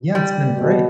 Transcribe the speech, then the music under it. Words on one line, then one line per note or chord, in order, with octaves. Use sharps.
Yeah. It's been great.
G3
B2